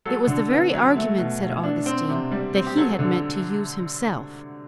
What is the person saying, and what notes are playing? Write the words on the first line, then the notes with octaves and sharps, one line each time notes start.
It was the very argument, said Augustine, that he had meant to use himself.
F#3 A4
D3
B3
F#3
A3
B2
B2
D4
C4
C3
G3
C4
G4
F#3 A4
D3